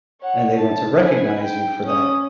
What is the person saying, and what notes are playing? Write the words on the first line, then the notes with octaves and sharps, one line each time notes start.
and they want to recognize you for that.
C#5 F#5
A5
B4 G#5
G5
C#4 D#6